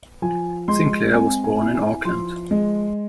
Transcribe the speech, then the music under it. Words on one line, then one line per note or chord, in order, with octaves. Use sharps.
Sinclair was born in Auckland.
F3 G#5
G#3 C6
C4 G#5
G#5
E4
G#5
F3 C6
G#3